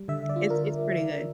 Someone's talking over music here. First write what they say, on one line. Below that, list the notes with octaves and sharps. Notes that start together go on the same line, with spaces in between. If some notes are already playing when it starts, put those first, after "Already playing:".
It's it's pretty good.
Already playing: G3
D3 E5
D5
F4
A#4